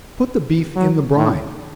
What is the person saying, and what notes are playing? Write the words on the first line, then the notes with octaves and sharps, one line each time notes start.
Put the beef in the brine.
F#3
A2